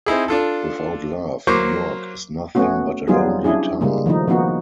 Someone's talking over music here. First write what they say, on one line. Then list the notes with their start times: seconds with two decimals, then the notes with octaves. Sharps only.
Without love, New York is nothing but a Lonely Town.
0.06 C4 D#4 E4 G#4
0.28 D4 F4 A4
1.47 F#3 A#3 C5 C#6 D6
2.55 A3 B3 C#4 F#4
3.07 F#3 G3 B3 D#4 F4 G#4
3.44 C#4 D4 E4 G#4
3.81 C#3 G3 G#3 A#3
4.06 D#3 F3 A3 D#4
4.28 F3 A#3 B3 D#4 F#4